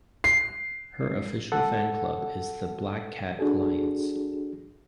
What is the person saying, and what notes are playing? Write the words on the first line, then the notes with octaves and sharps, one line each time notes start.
Her official fanclub is the "Black Cat Alliance".
C7
A4 F#5
D4 F#4 G#4 A4